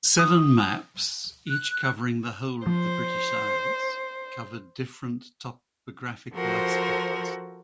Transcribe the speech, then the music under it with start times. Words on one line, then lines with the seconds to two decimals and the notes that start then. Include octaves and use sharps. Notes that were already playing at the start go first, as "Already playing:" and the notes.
Seven maps, each covering the whole of the British Isles, covered different topographical aspects.
0.19 D#6
1.48 F#6
2.67 F3 C5
6.35 F3 F#4 A4 A#4 C5